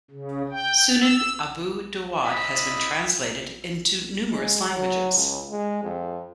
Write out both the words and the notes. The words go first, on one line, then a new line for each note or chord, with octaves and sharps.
"Sunan Abu Dawud" has been translated into numerous languages.
C#3
G5
E6
D#5 B5 E6
G#3
F#3
C#2
G#3
F2